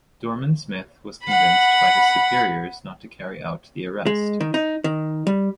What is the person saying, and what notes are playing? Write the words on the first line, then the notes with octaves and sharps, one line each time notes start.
Dorman-Smith was convinced by his superiors not to carry out the arrest.
F#5 B5
G#3
D#3
D#4
D#3
G3